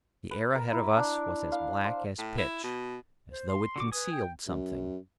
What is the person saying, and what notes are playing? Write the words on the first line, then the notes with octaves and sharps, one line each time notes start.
The air ahead of us was as black as pitch, as though it concealed something.
B4
A#4
E4
D4
F5
C5
A2
E4
B2
C5
C6
D3 F#4 D6
B4 G#5 D#6
G5
F#2